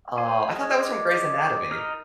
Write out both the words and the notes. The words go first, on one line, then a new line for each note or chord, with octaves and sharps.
Oh, I thought that was from Grey's Anatomy.
C5 G#5
G#3
D5
D#4 A#4 F6